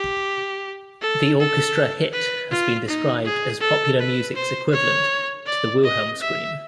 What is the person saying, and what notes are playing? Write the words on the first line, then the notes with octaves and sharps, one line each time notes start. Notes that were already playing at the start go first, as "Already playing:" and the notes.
The orchestra hit has been described as popular music's equivalent to the Wilhelm scream.
Already playing: G4
A4
A4
B4
F4
D#4
G#4
A4
B4
C5
C#5
D5
D#5
E5